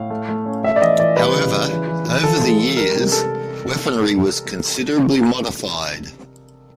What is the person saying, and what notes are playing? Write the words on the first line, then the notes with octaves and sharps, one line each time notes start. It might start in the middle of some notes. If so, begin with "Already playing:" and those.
However, over the years, weaponry was considerably modified.
Already playing: A2 F5
A3
A3
C#4
A3 E5
D5
E3 D#5
E3 D5
G3 B4
C#3
C#3
E3
E3
E3
F3 A4
G#3
G#3
G3 A#4
C3
C3 A4